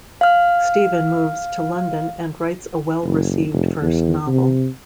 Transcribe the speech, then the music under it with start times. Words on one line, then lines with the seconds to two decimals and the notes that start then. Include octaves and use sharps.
Stephen moves to London and writes a well-received first novel.
0.21 F5 F6
3.04 F#1
3.52 F1
3.82 E2
4.27 C3